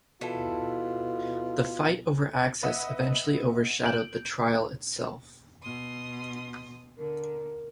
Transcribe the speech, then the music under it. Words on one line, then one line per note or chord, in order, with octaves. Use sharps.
The fight over access eventually overshadowed the trial itself.
B2 E3 E4 F4 A4
B4 D#5 E5 F#5
G6 D7 F#7
B2 C6 D#6
D3 A#4